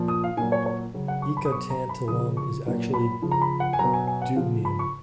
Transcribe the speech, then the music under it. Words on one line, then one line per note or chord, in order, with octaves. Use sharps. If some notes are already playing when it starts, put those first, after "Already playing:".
Eka-tantalum is actually dubnium.
Already playing: A#2 F3
D#6
F5
A#2 F#3 G#5
C#5
C#5
C#3 F#3
F#5
C#6
B5
D#6
B2 F#3 C#6
A#5
B5
C#3 F3 D#6
C#6
A#2 F#3
B5
C#3 F3
A#5
B5
F#5
G#5
B2 F#3 A#5
G#5
G#5
F#5
C#3 F3 F5
B5
C#6